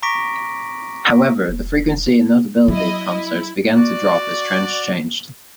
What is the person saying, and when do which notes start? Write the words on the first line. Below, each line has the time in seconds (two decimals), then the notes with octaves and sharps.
However, the frequency and notability of concerts began to drop as trends changed.
0.02 A#5 C#6 D6 A#6 B6 D7
1.48 E1
2.68 F#3 E4 D#5
3.12 E4
3.76 F#4 D5